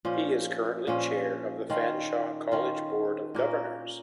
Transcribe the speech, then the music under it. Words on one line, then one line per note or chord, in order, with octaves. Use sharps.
He is currently chair of the Fanshawe College Board of Governors.
A#2 F3 C#4
A#2 F3 C#4
D#3 C#4 F4
D#3 C#4 F4
A#2 A#3 C#4 A#4